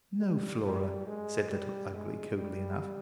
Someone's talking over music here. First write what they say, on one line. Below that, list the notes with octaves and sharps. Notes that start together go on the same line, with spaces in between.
"No, Flora," said Little Ugly, coldly enough.
G3
G3
G#3
G3
G#3
G3